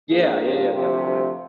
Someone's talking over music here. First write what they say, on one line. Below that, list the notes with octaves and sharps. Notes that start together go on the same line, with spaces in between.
Yeah, yeah, yeah, definitely.
G#2 F3 A#3 D4 G#4
G4
D2 C3 F3 G4